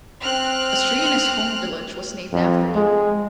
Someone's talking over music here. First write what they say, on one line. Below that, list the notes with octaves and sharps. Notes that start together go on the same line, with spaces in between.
A street in his home village was named after him.
C4 F6 F#6
F2
G#3